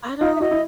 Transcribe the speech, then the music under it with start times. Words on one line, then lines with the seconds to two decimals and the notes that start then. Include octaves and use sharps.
I don't
0.21 D#4 F4 D#5
0.35 E5
0.40 E4 F#4 D#5
0.51 E4